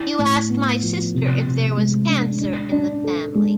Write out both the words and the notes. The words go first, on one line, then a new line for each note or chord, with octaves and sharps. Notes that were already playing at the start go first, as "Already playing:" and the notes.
You asked my sister if there was cancer in the family.
Already playing: E4
A2
B3
F3
C3
C3
G#3
D4
D4
D4
A4
G#3